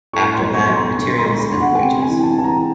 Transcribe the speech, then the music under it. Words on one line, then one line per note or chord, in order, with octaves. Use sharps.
After that, materials and wages.
A2 C#6
C6
B1
C#6
B1
C6
D3 C#6
C6
G#3
B5
D3
F#5
G#5
C3 G5
G#5
E3
A5
E3 A5
A#5